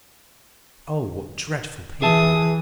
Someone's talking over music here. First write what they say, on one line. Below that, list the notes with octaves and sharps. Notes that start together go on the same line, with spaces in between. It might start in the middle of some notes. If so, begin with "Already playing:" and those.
Oh, what dreadful people!
E3 G#4 E5 A5 D#6